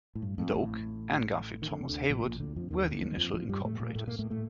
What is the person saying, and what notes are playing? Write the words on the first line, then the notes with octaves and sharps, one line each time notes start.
Doak, and Garfield Thomas Haywood were the initial incorporators.
A2
G2
F2
A1 A2
D#3
D3
C3
D2 D3
A#1 A#2
A#1 A#2
D2 D3
F2 F3
D#2 D#3
D2 D3
D#2 D#3
F2 F3
F2 F3
G2 G3
A2 A3
A#2 A#3
A2 A3
A#2 A#3
A2 A3
A2 A3